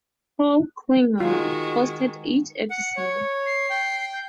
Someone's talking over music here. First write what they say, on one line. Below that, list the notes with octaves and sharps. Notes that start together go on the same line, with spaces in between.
Paul Klinger hosted each episode.
D#3 G#3 F4 F#4
F#5 C#7
C#5
C7
G5
G6